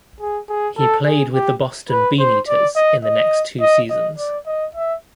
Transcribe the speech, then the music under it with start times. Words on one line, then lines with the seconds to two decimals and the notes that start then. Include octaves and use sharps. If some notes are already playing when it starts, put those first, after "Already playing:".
He played with the Boston Beaneaters in the next two seasons.
0.20 G#4
0.49 G#4
0.77 A4
1.06 G#4
1.34 G4
1.90 B4
2.19 C5
2.48 D5
2.76 D#5
3.04 D#5
3.61 D#5
3.90 D#5
4.18 D5
4.46 D#5
4.75 E5